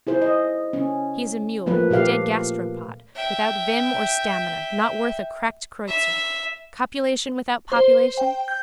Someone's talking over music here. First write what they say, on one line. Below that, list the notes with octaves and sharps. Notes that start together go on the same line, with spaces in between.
He is a mule, a dead gasteropod, without vim or stamina, not worth a cracked kreutzer. Copulation without population!
E4 G#4 C5
D#5
C#4
F3 A3 A#3 B4
A#2 A3 G4 F5
E5 G5
E5
C5
G5
G6